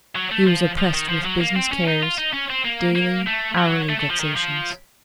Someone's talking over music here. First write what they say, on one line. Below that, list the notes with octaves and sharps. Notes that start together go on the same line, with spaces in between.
He was oppressed with business cares; daily, hourly vexations.
F#3
A3
F3
F3
D#3
F3
F#3
A#3
C4
C#4
D#4
F4
D#4
C#4
C4
A#3
A#3
A3
F#3
A3
A3
F3
D#3
F3